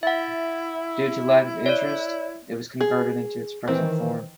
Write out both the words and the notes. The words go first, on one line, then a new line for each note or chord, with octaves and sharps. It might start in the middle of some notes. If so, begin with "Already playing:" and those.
Due to lack of interest, it was converted into its present form.
E4 E5 F#5
C#5 D5
G#4
D#3 E3 C4